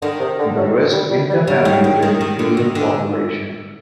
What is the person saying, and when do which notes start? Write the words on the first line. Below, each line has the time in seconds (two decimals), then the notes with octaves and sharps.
The rest intermarried with the Cuban population.
0.02 D3 D#3
0.19 C3
0.39 D3
0.56 F#3
0.93 G3
1.11 G3
1.29 G3
1.47 F#3 G3
1.65 G3
1.84 D#3
2.02 D#3
2.21 D#3
2.39 D3
2.57 D#3
2.75 D3